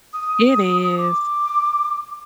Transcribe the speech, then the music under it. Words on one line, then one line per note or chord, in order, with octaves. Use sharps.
It is.
D#6
D6